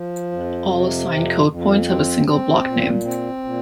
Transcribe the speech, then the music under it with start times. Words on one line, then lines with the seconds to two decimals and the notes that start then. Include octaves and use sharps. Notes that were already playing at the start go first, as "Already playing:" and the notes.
All assigned code points have a single block name.
Already playing: F3
0.32 F2
0.71 C3
1.09 F2
1.49 F2
1.88 C4
2.27 C4
2.67 A#2
3.05 C4
3.44 A#2